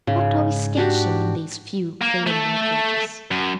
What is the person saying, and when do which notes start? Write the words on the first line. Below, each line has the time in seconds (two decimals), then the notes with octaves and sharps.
What are we sketching in these few preliminary pages?
0.07 G#2 C#3
0.77 D4 F#4 G4
2.02 A#3
2.27 A3 A4
3.31 F#2